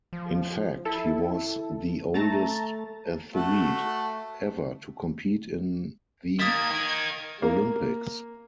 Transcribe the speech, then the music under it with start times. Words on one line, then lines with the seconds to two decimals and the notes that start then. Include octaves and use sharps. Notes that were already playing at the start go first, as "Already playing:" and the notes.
In fact, he was the oldest athlete ever to compete in the Olympics.
0.13 F3
0.85 E4 A4
2.14 A3 A5 A#5 A6
3.33 A3 F#4 A4
6.40 D#3 A#3 D#6 G#6 A6 B6
6.71 D#3 D#4
7.42 A#3